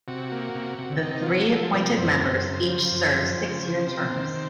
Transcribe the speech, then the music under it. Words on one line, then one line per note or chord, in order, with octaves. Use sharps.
The three appointed members each serve six-year terms.
C3 F#4
A#3
C3
C3
C3 D#4
F4
F3 F#4
F3 A4
C3 A#4
F#2 C5
F#2
C#3
F3
F#2
F3
C#3
F3
C3
D#3
C3